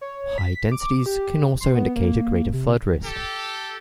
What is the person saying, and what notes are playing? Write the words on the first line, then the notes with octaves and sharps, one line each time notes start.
High densities can also indicate a greater flood risk.
C#5
B6
D6
G4
C6
B3
A#3
C3
G4 A4